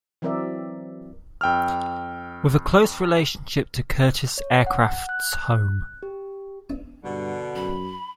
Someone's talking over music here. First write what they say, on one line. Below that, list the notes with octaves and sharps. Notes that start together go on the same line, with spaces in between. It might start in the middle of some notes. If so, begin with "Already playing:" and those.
With a close relationship to Curtiss aircraft's home.
E3 F#3 C4 A#4 D5 E5
F2 G5 E6 F6
C#5
F#5
F#6
G4
G2 B2 D3
F#2 B5